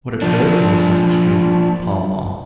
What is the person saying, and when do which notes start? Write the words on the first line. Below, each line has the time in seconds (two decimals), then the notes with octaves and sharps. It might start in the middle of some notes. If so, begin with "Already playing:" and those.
What Occurred in Suffolk Street, Pall Mall.
0.22 F3 D4